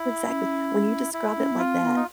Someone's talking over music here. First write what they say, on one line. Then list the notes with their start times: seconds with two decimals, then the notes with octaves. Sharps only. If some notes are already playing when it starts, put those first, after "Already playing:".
exactly. When you describe it like that,
Already playing: E4
0.24 C#4
1.14 E4
1.37 C#4
1.52 B3
1.59 C4 F4
1.83 B3
1.96 D#4